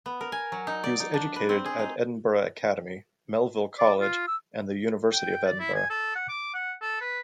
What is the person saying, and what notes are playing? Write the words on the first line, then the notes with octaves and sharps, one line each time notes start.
He was educated at Edinburgh Academy, Melville College and the University of Edinburgh.
B3
A#4
G#5
F#3
D#4
D5
D#4
D4
B4
C4
G#4
D#4
D5
F4
E6
G5
D5
E4
G#5
A4
F#5
D6
F#5
A4
B4